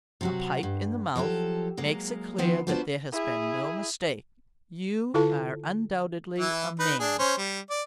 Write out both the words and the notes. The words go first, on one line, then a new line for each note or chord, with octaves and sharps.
A pipe in the mouth makes it clear that there has been no mistake--you are undoubtedly a man.
C3 F#3 F#4
G2
F3 F#3 G4 A4
F#3 G#3 A#3
D#3 F3 B3 C4
B3 D4 F4 F#4 C5 A5
E4 G#4
D3 E4 F4 A4 F5 A5
E3 E4
D#4 B4
D4 G#4
C#4 C5
G3
D5